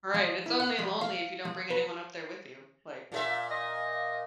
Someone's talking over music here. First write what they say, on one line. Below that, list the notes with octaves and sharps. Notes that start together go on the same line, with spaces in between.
Right, it's only lonely if you don't bring anyone up there with you, like
F3
E4
F#5
F3
F5
F3
B4
A#2 G#4 E5
D#5